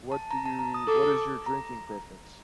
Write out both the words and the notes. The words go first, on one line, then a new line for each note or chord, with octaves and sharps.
What do you what is your drinking preference?
A5
A#5
A5
A#5
D#6
A4 D6
A#5